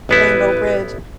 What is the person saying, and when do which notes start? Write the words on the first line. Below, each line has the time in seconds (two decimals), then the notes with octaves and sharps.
the Rainbow Bridge.
0.09 A1 B3 E4 B4